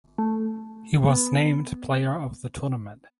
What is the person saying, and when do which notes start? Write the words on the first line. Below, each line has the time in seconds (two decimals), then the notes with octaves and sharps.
He was named player of the tournament.
0.18 A3
1.08 B3